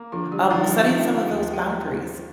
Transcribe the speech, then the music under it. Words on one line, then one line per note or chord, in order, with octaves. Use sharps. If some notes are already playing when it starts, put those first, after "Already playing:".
Um, setting some of those boundaries
Already playing: A#3
D3 F3 F4
G3 G4
F3 D#4 D#5
F3 D#4 D#5
G5
F4 F5
D#2 G4 G5
G4 G5